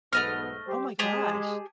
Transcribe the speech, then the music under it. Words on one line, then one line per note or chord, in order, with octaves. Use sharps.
Oh my gosh.
B1 G#2 A3 B3 D#5 F6
G3 G4 C5
G#3 G4 G#4 A5